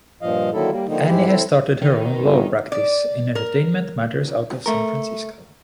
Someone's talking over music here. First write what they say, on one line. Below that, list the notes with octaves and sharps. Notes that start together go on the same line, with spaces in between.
Annie has started her own law practice in entertainment matters out of San Francisco.
G2 A#2 F3 D#5 F5
D3 D#3 F#3 A#3 E4 A4
G3 A#3
D3 D#3 F3 A#3 D#4
G#2 G#3 E4 G4
C4 E4 A4
D#3
G1
D5
A#4
A3 A#4